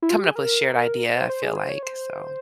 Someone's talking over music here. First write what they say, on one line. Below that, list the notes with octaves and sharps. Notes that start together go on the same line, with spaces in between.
coming up with a shared idea, I feel like, so
E4
F4
G4
G#4
A#4
C5
C5
G#4
C5
C#5
C5